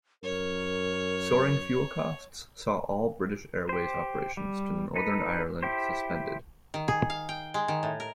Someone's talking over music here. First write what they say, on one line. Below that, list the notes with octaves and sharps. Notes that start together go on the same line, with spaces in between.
Soaring fuel costs saw all British Airways operations to Northern Ireland suspended.
F#2 A#4 C#5
G4 C5
G3
D#4 A4 B4
E4 G4 C5
D#3
G#4
F5
G5
G#3
D#3
A2
A#4